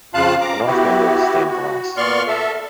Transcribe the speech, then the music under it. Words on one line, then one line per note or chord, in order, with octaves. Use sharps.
The north window is stained glass.
F2 C#3 F4 F5 A5 F#6
A#5 D6
B3 E4 F#4 G4
F#4
A#2 B3 D5 C6 C#6 F6
A4 E5